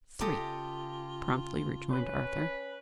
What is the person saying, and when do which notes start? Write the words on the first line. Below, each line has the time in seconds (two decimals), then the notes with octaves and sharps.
"Three," promptly rejoined Arthur.
0.21 C#3 F4 G4 A4 D#5 G#5 D#6
1.90 C#4 B4